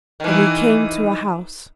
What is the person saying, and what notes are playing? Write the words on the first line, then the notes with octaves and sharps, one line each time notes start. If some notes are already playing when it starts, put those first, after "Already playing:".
Then he came to a house.
D#3 E3